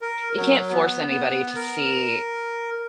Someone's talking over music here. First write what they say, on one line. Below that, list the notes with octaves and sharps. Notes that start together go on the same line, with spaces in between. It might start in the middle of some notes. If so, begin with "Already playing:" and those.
you can't force anybody to see
A#4
F#3
B3
B3
A#4